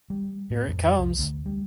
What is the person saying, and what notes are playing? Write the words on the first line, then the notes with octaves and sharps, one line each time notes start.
Here it comes!
G3
A2
F2
C2
D2
G3